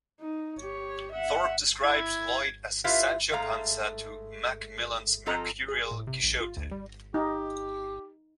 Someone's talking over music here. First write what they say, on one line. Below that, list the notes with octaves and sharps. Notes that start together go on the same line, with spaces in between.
Thorpe describes Lloyd as "Sancho Panza to Macmillan's mercurial Quixote".
D#4
G4 C#5
E5 F#5
E4 G#6
E4 F4 G4 B4 E5 F5
G#2 G#3 A3 F5 A#5
F3 C4 F4 A4 D#5 A#5
G#4
A2
C3
A#1
F4
D2
G3
D#4 G4